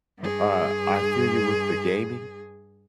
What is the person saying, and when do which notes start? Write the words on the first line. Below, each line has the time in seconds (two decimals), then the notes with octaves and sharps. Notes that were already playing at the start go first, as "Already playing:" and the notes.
uh, I feel you with the gaming.
0.19 G2 G#4